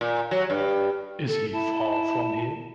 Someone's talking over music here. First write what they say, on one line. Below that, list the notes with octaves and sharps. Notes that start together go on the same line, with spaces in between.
Is he far from here?
A#2
F#3
G2
A4
E4 A5